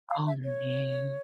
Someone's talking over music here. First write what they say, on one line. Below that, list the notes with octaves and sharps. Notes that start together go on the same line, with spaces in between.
Oh, man.
F5
E5
C#5